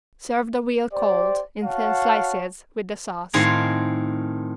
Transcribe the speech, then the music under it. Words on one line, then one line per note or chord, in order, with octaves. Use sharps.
Serve the veal cold, in thin slices, with the sauce.
G4 C5 D5
F#4 C#5 F5 F#5 A5
A2 D#3 C4 F4 G#4 A#5